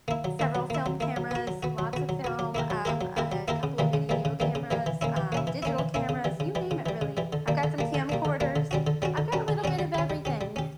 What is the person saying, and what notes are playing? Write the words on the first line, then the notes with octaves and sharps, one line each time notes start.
several film cameras, lots of film, um, a couple of video cameras, um, digital cameras, you name it, really. I've got some camcorders, I've got a little bit of everything.
A#3 E4
F#3
A#3 E4
F#3
A#3 E4
F#3
A#3 E4
F#3
B3 F#4
F#3
B3 F#4
F#3
B3 F#4
F#3
B3 F#4
F#3
A#3 E4 G4 A#4
F#3
A#3 E4 G4 A#4
F#3
A#3 E4 G4 A#4
F#3
A#3 E4 G4 A#4
C#3
E3 G3 A#3
C#3
E3 G3 A#3
C#3
E3 G3 A#3
C#3
E3 G3 A#3
E3
A#3 C#4 E4
E3
A#3 C#4 E4
E3
A#3 C#4 E4
E3
A#3 C#4 E4
C#3
E3 G3
C#3
E3 G3
C#3
E3 G3
C#3
E3 G3
D3
G3 A#3 D4
D3
G3 A#3 D4
D3
G3 A#3 D4
D3
G3 A#3 D4
D3
G3 C#4 F#4
D3
G3 C#4 F#4
D3
G3 C#4 F#4
D3
G3 C#4 F#4
G3
C#4 G4
G3
C#4 G4
G3
C#4 G4